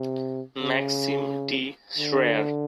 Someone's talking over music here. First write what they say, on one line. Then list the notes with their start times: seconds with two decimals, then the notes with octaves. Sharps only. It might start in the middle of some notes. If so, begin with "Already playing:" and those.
Maxim D. Shrayer.
Already playing: C3
0.61 C#3
1.98 D3